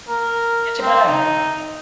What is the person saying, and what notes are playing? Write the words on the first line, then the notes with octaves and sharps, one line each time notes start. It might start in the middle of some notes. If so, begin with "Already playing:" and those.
get your butt out here."
A#4
C4
D#4